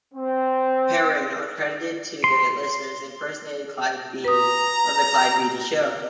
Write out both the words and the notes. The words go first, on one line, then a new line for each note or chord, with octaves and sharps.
Perrin, uncredited to the listeners, impersonated Clyde Beatty on The "Clyde Beatty Show".
C4
C6
B4 A#5 D#6